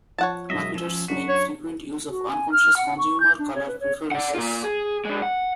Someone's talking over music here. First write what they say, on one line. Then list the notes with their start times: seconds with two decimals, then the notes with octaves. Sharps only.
Marketers make frequent use of unconscious consumer color preferences.
0.18 F3 C#5 F#5 A5
0.50 E1 F#2 D#5 E5
0.75 F3 C#4 E6 E7
1.08 F#2 D4 F#4 B6
1.29 C#5
2.10 F#4
2.30 G#5
2.52 F6
2.77 F#5
2.98 C#6
3.20 G6
3.39 D4
3.55 C#5
3.68 B4
3.80 C#5
4.11 D5 F#5
4.35 A#2 F4
4.64 G#4
5.05 G#3 D4
5.22 F#5